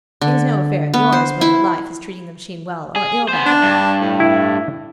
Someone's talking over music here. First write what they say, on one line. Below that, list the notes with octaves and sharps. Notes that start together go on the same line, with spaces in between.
It is no affair of yours whether life is treating the machine well or ill that day.
D3
B3
C5
E4
G#4
B3 C5
D4
G2
A2
E4